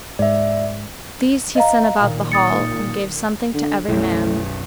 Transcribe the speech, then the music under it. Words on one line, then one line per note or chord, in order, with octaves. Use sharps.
These he sent about the hall and gave something to every man.
G#2 D5 E5
D#5 F5 A#5
A#2 D#3
D#6 A6 C#7
D3
B1 F#2 A2